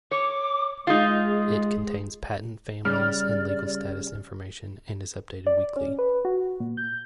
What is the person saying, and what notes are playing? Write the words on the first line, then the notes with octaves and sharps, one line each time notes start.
It contains patent families and legal status information, and is updated weekly.
C#5 D6
G#3 D#4 F4 G#4
C#3 G3 D5 F6
D5
C#4
B4
F#4
A#2
G6